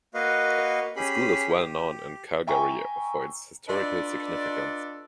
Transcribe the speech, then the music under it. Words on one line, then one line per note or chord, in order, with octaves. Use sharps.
The school is well known in Calgary for its historical significance.
A#3 F#4 B4 D#5 F5
C#4 G4 G#4 B5
G4
E5 G5 G#5 A#5 C#6
D4 F4 A4 B4 D5 D#5